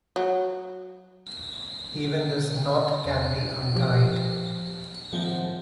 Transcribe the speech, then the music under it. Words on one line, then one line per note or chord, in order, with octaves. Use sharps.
Even this knot can be untied...
F#3
D3
E2
F3 G4 G5
A2 D#3 F3 G#3 C4 F#5